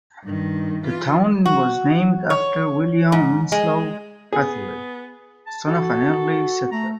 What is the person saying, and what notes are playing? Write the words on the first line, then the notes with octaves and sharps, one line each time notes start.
The town was named after William Winslow Hathaway, son of an early settler.
G2 D#3
E3 F4
F#4
C#5
G#2
G#3
B3 G#4
A5
F#4 A4
A3 A#5